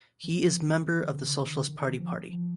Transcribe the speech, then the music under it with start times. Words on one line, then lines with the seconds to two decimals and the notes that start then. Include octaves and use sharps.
He is member of the Socialist Party party.
0.24 E3
0.43 F3
0.57 E3
0.70 D#3
0.84 E3
1.03 D#3
1.11 D3
1.27 C#3
1.40 D#3
1.55 D3
1.69 D#3
1.88 E3
1.99 F3
2.29 F3